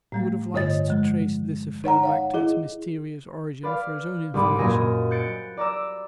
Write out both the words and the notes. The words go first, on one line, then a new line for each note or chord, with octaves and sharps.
He would have liked to trace this affair back to its mysterious origin for his own information.
A2 G3 A3
G2 D3 C#5 D#5 A6
F3 G#3
D#4 C#5 F#5 A#5
C#5 F5 F#5
E4 G#4 D#5
B4 D5 F5
C2 G#2 G3 B5 D6
F#2 A#2 A#3 D#5 G#5 A#6
F#6 G6 A6 C#7 D7
D5 A#5 D6 E6